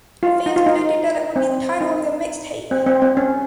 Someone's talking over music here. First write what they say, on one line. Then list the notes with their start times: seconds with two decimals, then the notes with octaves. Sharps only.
The fans predicted that it would be the title of their “mixtape”.
0.23 F4
0.46 D#4
0.56 F4
0.66 D#4
1.36 C4
1.81 D#4
2.71 C4
2.86 C4
3.02 C4
3.17 C#4